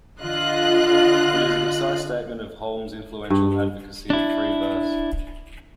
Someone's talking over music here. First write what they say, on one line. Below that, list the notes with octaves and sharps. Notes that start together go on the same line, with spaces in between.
It is a concise statement of Hulme's influential advocacy of free verse.
D3 F4 D#5 F#6
G2
D4 E4